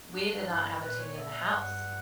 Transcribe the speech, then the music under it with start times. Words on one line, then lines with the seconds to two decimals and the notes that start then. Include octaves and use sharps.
we did not have a TV in the house.
0.13 F#2 D4
0.48 G2 E4
0.82 A#2 B4
0.99 C#5
1.16 E5
1.51 G2 F#5